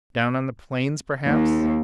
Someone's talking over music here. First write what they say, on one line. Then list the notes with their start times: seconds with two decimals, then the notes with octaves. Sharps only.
Down on the plains, perhaps?
1.26 D#2